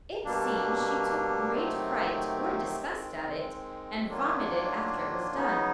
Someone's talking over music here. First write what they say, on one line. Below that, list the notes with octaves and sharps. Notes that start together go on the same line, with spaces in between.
It seems she took great fright or disgust at it, and vomited after it was done.
B2 G3 A#3 D4
C3 D#3 F#3 A3 C4
D#3 G#3 C4
D#3 F#3 A#3 D4 F4
C#3 F#3 B3 D#4